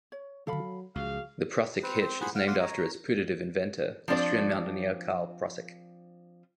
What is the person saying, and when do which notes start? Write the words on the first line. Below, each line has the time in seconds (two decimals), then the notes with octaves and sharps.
The Prusik hitch is named after its putative inventor, Austrian mountaineer Karl Prusik.
0.12 C#5
0.47 F#3 A4 F5 B5
0.96 C#2 F3 F#3 F#4 G#4 F5
1.83 C4 B4 C5
2.01 C4 C5
2.21 G#4 C5 F#5 B5
2.35 F5 F#5
2.47 F5 F#5 C6 D6
2.61 C#5 A#5
4.08 F3 C4 D4 D5